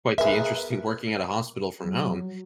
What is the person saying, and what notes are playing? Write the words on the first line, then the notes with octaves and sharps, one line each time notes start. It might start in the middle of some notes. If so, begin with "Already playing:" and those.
quite the interesting working at a hospital, from home.
G#4 A#4 B4 E5
F#3